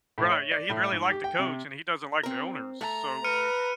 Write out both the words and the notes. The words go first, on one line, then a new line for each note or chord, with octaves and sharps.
Right, yeah, he really liked the coach, and he doesn't like their owner, so
A2
C#5
D5
A2
G#2
G4
G5
C3
C4 A#4
A3 A#5
B4 F6 C#7 D#7